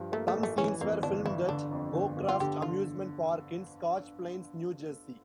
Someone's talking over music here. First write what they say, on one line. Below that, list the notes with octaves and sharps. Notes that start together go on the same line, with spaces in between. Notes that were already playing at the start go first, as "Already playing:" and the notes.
Some scenes were filmed at Bowcraft amusement park in Scotch Plains, New Jersey.
Already playing: G2 F3
A3 A#3
A3
A1
A3
E3 C#4
F2 A#3
G1 D4
G1 E4
D3 D4
F2
G1
G1
F4
D3 G4
F4